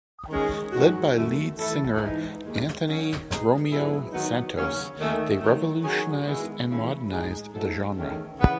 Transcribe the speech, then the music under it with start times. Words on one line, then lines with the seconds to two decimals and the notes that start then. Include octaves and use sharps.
Led by lead singer Anthony "Romeo" Santos, they revolutionized and modernized the genre.
0.29 D#3 G#3 C#4 G#4
0.71 G#2 D#3 F#3 C#4 F#4
1.14 F#2 D#3 A3
1.57 E3 A3 E4 A4
1.99 G#2 E3 G#3 D#4
2.43 D#2 D#3 G#3
2.84 D#3 F#3 C#4
3.27 B2 G#3 D#4 G#4
3.70 G#2 F#3 B3 E4 G#4
4.12 D#3 F#3 B3 D#4
4.55 D#2 C#3 F#3 C#4
4.97 D#2 D#3 A3 C#4
5.39 D#3 F#3 A3
5.83 D#3 F#3 C#4 G#4
6.25 D#3 G#3 B3 E4
6.68 C#3 E3 A3 E4
7.10 A2 G#3 D#4 G#4
7.52 G#2 F#3 A3 D#4 A4
7.95 E2 D#3 A3 C#4
8.37 C#3 E3 B3